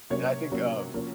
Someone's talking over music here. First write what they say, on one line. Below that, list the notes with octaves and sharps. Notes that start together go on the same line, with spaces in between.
And I think, um,
C3 F#3 A#3 C#4 C#5
C3 F#3 A#3 C#4
F3 A#3 C#4